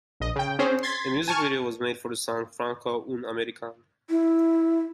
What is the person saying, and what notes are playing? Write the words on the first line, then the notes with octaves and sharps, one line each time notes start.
A music video was made for the song, "Franco Un-American".
A#1 D#5
C#3 G5
C4 C#4 G#4 C5
C6 G#6 A6 B6
G#5 A5 C#6 F6
E4